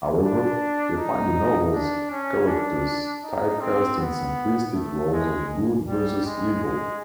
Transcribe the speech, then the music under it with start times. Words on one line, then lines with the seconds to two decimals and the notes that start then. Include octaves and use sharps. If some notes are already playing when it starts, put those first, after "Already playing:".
However, they find the novel's characters typecast in simplistic roles of good versus evil.
0.22 D4
0.97 D#4
1.73 D4
2.10 C#4
2.47 D4
3.24 D#4
3.61 C4
3.99 B3
4.74 A3
5.12 G#3
5.88 G3
6.25 G#3
6.63 G#3